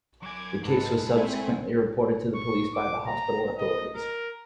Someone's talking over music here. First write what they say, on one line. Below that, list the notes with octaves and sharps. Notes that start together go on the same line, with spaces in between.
The case was subsequently reported to the police by the hospital authorities.
F#3 G#5 D6 G#6
G#2 G#3 G#4 A4 B4
A3 C4 E4 G#5
C#6
D6
A#5
D#5
A#4